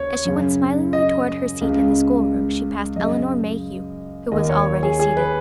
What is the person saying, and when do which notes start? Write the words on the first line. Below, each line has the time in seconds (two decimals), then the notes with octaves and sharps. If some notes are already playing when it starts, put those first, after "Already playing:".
As she went smilingly toward her seat in the schoolroom she passed Elinor Mayhew, who was already seated.
Already playing: D#2 C#3 C#5
0.25 F#2 C#3
0.93 D#5
1.61 C#2 C#3
2.96 F#2 C#3 D#5
4.32 D#2 D#3 D#5
4.49 C#5
4.83 G#4
4.99 G#4
5.17 B4